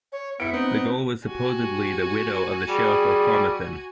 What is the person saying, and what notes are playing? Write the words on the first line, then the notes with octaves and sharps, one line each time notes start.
The girl was supposedly the widow of the sheriff of Carmarthen.
C#5
B3 E4 C#7 D7
B3 C4 D#4
F#4 G4 G#5
G3 G#4